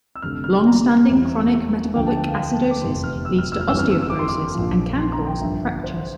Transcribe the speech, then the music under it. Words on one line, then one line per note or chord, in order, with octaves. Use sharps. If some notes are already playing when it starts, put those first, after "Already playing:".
Longstanding chronic metabolic acidosis leads to osteoporosis and can cause fractures.
E6
F1 F2 D3 G3 F6
F6
A#5
E2 E3 G3
D2 D3 F3 G5
A5
G5
F5
G5
A5
D6
F1 E2 C3 G3 C6
F6
E6
F6
E6
F6
G1 F2 E3 G3 E6
F6
E6
E6
D6
C6
D6
A#1 A#2 F3
C6
A#5
G5
G1 G2 F3 E5
C5